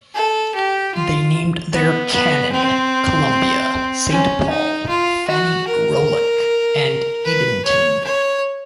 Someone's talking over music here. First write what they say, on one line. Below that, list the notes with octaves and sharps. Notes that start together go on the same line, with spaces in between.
They named their cannon: "Columbia", "Saint Paul", "Fannie Roulac", and "Edenton".
A4
G4
F4
B3
B3
C4
C#4
D#4
F4
F#4
A#4
B4
C#5
C#5